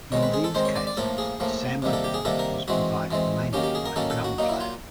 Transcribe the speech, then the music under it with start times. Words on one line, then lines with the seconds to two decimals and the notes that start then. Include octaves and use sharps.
In these cases, samba rhythm was provided mainly by a drum player.
0.12 D#3 G#3 C4 C#5
0.23 B4
0.34 G#4
0.44 A4
0.55 D#3 G#3 C4 C5
0.65 C#5
0.76 D5
0.87 D5
0.97 A2 F3 A#3 A4
1.18 G#4
1.40 A2 F3 A#3
1.82 C3 D#3 G3 A#3
1.93 A4
2.04 G4
2.14 G#4
2.25 C3 D#3 G3 A#3 A4
2.39 A#4
2.68 E3 G#3 C4 F#4
3.11 E3 G#3 C4
3.53 D#3 F#3 A#3 C#4 G4
3.63 G4
3.75 G#4
3.86 A#4
3.96 D#3 F#3 A#3 C#4 A4
4.10 A4
4.24 F#4
4.38 A#2 F#3 A#3 D#4
4.49 E4
4.60 F4